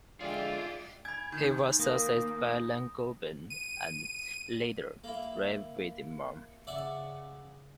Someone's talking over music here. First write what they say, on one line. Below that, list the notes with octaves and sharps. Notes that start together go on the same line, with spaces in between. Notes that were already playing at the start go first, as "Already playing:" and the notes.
He was succeeded by Allen Goben and, later, Rob Widmer.
D3 F3 G#3 F4 G#4 D5 E5 G5
G#5 B5 G#6
D#3
A#3 D#6 A#6
D#7
A#3 E4
C#3 D5 E5 F#5